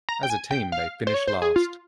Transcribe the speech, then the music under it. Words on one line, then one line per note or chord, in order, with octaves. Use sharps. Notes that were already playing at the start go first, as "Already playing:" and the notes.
As a team, they finished last.
A#5
G5
G#5
G5
F5
C5
C#5
C5
G#4
F4